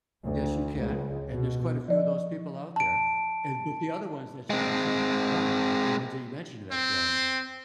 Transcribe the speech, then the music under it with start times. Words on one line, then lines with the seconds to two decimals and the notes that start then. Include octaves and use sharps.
Yes, you can. And there's quite a few of those people out there. And, but the other ones that you mentioned Right, the ones that you mentioned that, um,
0.23 D2
0.81 C#2
1.30 B2
1.88 F3 D5 D#5
2.76 A5 D7
4.50 G#3 C4
6.71 C4